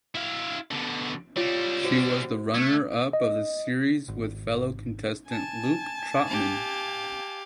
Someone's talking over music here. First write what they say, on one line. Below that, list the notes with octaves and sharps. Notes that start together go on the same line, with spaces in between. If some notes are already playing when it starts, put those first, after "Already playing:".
She was the runner up of the series with fellow contestant Luke Trotman.
E4 F5
B2 D3
G3 E4 F4 C#5
F#4 C5
A3 G#6
D#5
G#1
G#5 A5
G4 F5